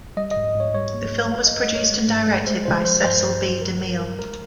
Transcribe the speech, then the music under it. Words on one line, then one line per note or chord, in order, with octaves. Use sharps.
The film was produced and directed by Cecil B. DeMille.
G3 D#5
D#5
G#2
G#2
C#5
G3 C#5
A#3
A#3
G3 F5
D#5
G2
D#5
G2 C#5
G#3
G#2
G#3
G#3 C5
G#3 C5
F3 C5
G2 C5
G2
G2
G2 A#4
G2 A#4
G3 A#4
G#3 A#4